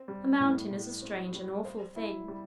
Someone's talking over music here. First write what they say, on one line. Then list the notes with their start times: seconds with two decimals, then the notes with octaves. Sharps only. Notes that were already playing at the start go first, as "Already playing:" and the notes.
A mountain is a strange and awful thing.
Already playing: C4
0.08 G3
0.40 A2
0.71 A2
1.02 C4
1.33 G3
1.65 C5
1.96 E4
2.28 G3